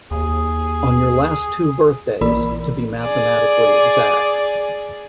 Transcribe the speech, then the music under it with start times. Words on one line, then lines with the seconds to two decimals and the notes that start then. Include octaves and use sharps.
On your last two birthdays, to be mathematically exact.
0.11 D#2 G#4
2.21 A#1 E3 A#3 A#4 D5 B5
3.01 G#4 D5